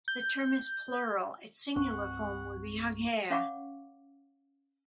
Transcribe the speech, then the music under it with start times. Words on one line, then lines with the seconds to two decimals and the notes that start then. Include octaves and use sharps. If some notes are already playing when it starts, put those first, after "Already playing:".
The term is plural; its singular form would be "aoghair".
0.08 G6
1.76 C2 G2 C4 F#5 C#6
3.30 C#4 C#5 F5 F#5 C#6 D6